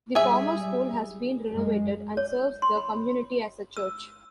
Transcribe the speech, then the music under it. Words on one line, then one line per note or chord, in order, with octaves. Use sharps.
The former school has been renovated and serves the community as a church.
G3 G#4 E5
F#2 G#3
C#5
C6
B5
E6